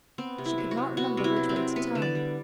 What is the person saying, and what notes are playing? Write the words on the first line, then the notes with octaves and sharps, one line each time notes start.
She could not remember which way to turn.
B3 C4
C3
E4
F#3
F#4
C3
B3 F#4
C3
E4
F#3
C4
C3
B3 B4
D3
D5
G3